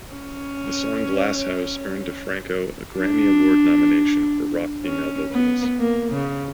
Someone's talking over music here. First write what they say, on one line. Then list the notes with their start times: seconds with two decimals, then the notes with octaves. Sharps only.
The song "Glass House" earned DiFranco a Grammy Award nomination for Rock Female Vocalist.
0.12 C#4
2.96 D4
4.85 C#4
5.32 B3
5.79 A#3
6.12 C#3